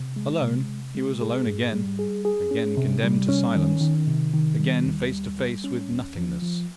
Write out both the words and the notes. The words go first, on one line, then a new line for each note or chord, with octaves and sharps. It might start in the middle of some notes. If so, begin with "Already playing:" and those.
Alone--he was alone again--again condemned to silence--again face to face with nothingness!
Already playing: C3
G#3
C3
C3
G#3
G#4
G#2
G3
G#4
G#4
C#4
C3
G3
C#4
D#3
D#3
C3
D#3
G3
D#2
G3
G3
C#4
D#2
F3
F3